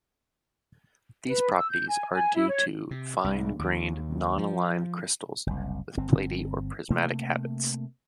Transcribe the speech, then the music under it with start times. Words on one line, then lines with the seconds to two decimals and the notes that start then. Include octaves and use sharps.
These properties are due to fine grained non-aligned crystals with platy or prismatic habits.
1.28 B4
1.55 E6
1.68 G6
1.88 G#5
2.13 G#5
2.35 E4
2.48 C#5
2.91 C3
3.24 C2
3.59 D#2
4.38 F3
5.47 F#1 C2
5.97 G1 C4
6.90 C3 A3 A#3